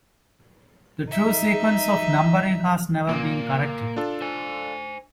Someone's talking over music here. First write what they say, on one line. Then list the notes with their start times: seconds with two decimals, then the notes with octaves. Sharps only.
The true sequence of numbering has never been corrected.
1.11 D#4 E5
3.09 A#2 A#3
3.96 D4 F4 A4
4.21 C5 G#5